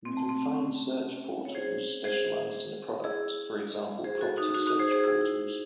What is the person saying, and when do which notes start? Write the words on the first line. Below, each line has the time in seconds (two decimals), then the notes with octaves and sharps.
You can find search portals specialized in a product, for example property search portals.
0.05 C4
0.17 A3
0.29 C4
0.42 C4
0.54 A3 C#4
1.45 C#5
1.55 G#4 C5
2.04 G#4 C5
3.04 E4 G#4
4.04 G#4 C5
4.21 F#4 A4
4.37 D#4 F#4
4.54 D#4 F#4
4.67 D#4 F#4
4.79 G#4 C5
4.91 G#4 C5
5.04 E4 G#4